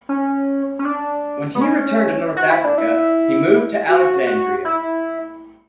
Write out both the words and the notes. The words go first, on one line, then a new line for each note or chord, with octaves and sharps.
When he returned to North Africa, he moved to Alexandria.
C#4
C#4
D4
B3
C#4
F#4
E4
D4
E4
F#4
F#4
E4